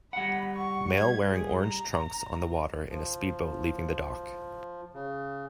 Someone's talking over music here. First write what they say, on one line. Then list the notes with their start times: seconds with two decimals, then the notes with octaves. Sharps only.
Male wearing orange trunks on the water in a speedboat leaving the dock.
0.13 G3 F#5 B5
0.56 C#6
0.96 G#6
1.28 G#4
1.62 A#5
2.90 F3
4.94 C#3